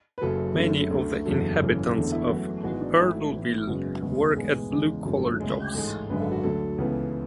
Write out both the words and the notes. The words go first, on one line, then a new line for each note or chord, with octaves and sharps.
Many of the inhabitants of Earlville work at blue-collar jobs.
B4
F#1 F#2 C#3 F#3 A4
F#1 F#2 D3 A3 A4
D2 D3 A3
F#1 E2 D3 F#3 A4
G#1 F#2 C#3 E3
E1 E2 D3 A3 A4
E4
F#2 E3 A3 F#4
G#1 G#2 E3 G#3 B3 F#4
D4
G#1 G#2 F#3 A3 E4
A1 G#2 E3 B3
F#1 F#2 C#3 G#3 B3 F#4
E1 D2 C#3 G#3 B3
A1 G#2 G#3 B3 G#4
E2 C#3 G#3
G#1 F#2 D3 F#3 A3
D2 C#3 G#3
A1 G#2 G#3 A4
G#1 F#2 D3 G#3 B4
A4
F#4
D2 D3 F#3 A4
C#2 C#3 E3 B3